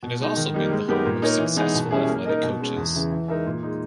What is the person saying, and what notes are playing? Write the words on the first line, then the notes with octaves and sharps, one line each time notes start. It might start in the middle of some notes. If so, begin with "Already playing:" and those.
It has also been the home of successful athletic coaches.
B2
G#3 D#4
D#3
G3 A#3 D#4
G#3
B3 D#4 G4 A#4
A#2
A#3 D#4 A#4 C#5
E3
G#3 B3 D#4 G#4
B2
G3 C#4 E4 G#4
A#3
D#4 A#4 D#5
B2
G#3 C#4
E2
C#3 E3
E3
G#3 D#4 A#4 E5
A#2
G#3 D#4